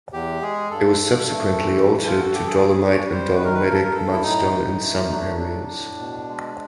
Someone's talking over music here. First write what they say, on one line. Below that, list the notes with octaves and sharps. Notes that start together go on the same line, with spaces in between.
It was subsequently altered to dolomite and dolomitic mudstone in some areas.
E2 G4
G#3 G#4
G2 A4
G2
A3
E3
G2
F4
G2 F#4
G4
G2 G#4
G#4
G2
C#5
G3
C5
D#3 B4
A#4
B4
G2 A#4
A4
A#4
G2 A4
E4
A2 D#4
A2
A3
F#3 D4
A2
A2
B2
G#3